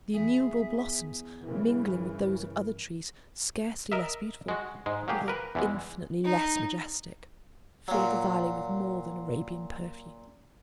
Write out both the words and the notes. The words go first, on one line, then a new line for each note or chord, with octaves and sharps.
The innumerable blossoms, mingling with those of other trees scarcely less beautiful, although infinitely less majestic, filled the valley with more than Arabian perfumes.
E2 G#4 E5
G2 C#3 E3 A#4
A#4 D#5 E5
G#3 F#4
G#2 G#3
F#3 A#3 G4 G#4
A#4 B4
E2 E3 G#3
D#4
A#2 F#3